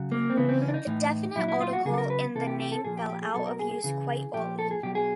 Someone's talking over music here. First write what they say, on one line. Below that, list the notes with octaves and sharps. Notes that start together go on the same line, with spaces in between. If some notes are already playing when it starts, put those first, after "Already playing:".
The definite article in the name fell out of use quite early.
Already playing: C#3 F#3
A#3
C4
C#3 E3 B3
C4
C#4
D4
D#4
A2 E3
A#2 F#3 E4
E4
F4
F#4
C#3 F#3 G#4 A4
A#4
B4
C3 E3 A4
G4
G4
A4
A#2 F3 G#4
G4
G4
G#4
B2 F#3 A4
A#4
G#4
G#4
C#3 E3 G#4
A#2 F3 G4
A4
G#4
B2 F#3 G4
G#4